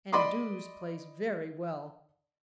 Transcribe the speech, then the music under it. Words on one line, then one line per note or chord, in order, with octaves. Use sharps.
And Doos plays very well.
D5 D#5 B5 C6 D6